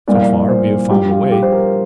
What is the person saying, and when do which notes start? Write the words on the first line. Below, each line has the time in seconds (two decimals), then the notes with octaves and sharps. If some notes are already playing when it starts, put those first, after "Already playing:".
So far we have found a way.
0.08 C2 A#2 F3 D5
0.15 F5
0.22 D5
0.48 C5
0.90 G2 F3 G4
1.11 F4
1.32 G4
1.42 C5
1.52 A#4